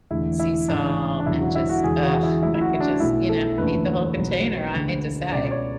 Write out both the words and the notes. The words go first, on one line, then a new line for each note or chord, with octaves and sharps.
sea salt, and, just ugh, I could just you know? Eat the whole container, I hate to say.
E1 E2 D3 A3 E4
E4
A1 G#2 E3 D4
D4
E1 E2 D3 F#3 E4
F#4
E4
F#4
E2 D3 G#3 G#4
F#4
E4
C#2 C#3 F#3 A3 E4
E4
F#4
E4
D4
B1 B2 A3 E4
A4
F#1 E2 D3 A3 B4
B1 B2 F#3
D2 D3 G#3
C#2 B2 G#3 D5
D5
C#5